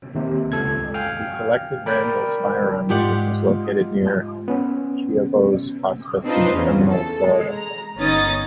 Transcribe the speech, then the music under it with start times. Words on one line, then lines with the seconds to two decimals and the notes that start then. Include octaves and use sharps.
He selected Randall's Firearms, which was located near Schiavo's hospice in Seminole, Florida.
0.15 D#2 C3
0.52 C#2 A4 G#6
0.94 F5 G5 G#5 F6
1.86 A#4 D5 G5 B5
2.89 G#2 F4 G4 D5 F#5
4.48 B3 C#4
6.24 C4 D4 D#4 F4 B4 C5
6.53 E2 C#3
6.89 A4
7.23 G#3
7.52 A#5
7.98 G1 B3 C#4 D#4 D#6 A6